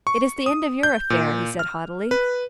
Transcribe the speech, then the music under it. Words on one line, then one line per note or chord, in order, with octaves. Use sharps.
'It is the end of your affair,' he said haughtily.
C#6
D#6
G6
A#2
F6
B4